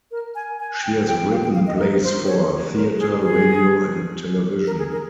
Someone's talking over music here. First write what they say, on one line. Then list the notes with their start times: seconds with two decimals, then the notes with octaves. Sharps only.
She has written plays for theatre, radio, and television.
0.11 A#4
0.35 G#5
0.60 G#5
0.83 G5
1.07 G5
1.32 F5
1.44 G5
1.55 F5
1.67 D#5
1.79 A#4
2.03 C5
2.27 C#5
2.75 A#4
2.98 G#4
3.22 G#4
4.66 A#4
4.79 G#4
4.91 A#4